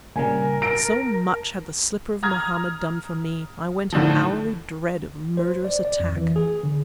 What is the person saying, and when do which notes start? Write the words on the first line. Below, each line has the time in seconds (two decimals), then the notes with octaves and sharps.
So much had the slipper of Mohammed done for me: I went in hourly dread of murderous attack!
0.16 A#2 C#3 G3 A#4 G#5
0.62 A5 A#5 D7
2.23 A#5 D#6 F6 G#6
3.92 A2 D3 D#3 F3
5.37 C5
5.64 D5
5.85 D5
6.00 F2
6.16 E3
6.36 G#4
6.63 D3